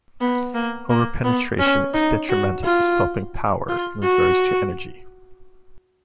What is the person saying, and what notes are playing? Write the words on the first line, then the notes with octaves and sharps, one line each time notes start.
Over-penetration is detrimental to stopping power in regards to energy.
B3
A#3
A#3
B3
C#4
D#4
F#4
F4
F4
F#4